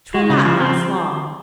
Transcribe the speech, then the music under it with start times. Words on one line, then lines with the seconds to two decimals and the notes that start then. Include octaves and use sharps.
'Twill not last long.
0.14 G#3
0.29 C#3
0.45 F3
0.60 C4